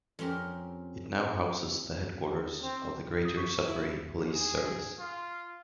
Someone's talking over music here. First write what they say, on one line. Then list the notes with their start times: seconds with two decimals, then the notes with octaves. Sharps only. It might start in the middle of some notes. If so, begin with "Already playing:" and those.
It now houses the headquarters of the Greater Sudbury Police Service.
0.19 F2 C4 C#4 G4 A#4
2.61 C4
3.25 D#6
3.37 C#6 B6
3.67 E4
4.34 G#4
4.99 F4